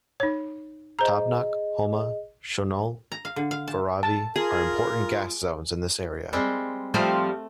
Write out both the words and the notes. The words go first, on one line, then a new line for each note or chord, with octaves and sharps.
Tabnak, Homa, Shanol, Varavi are important Gas Zones in this area.
D#4 C#5
G#4 C5 D#5 A#5
A#5
F5
D3
F5
A5
A5
F4 G#4 A#4
G3 G#3 C4
F3 G3 A3 C4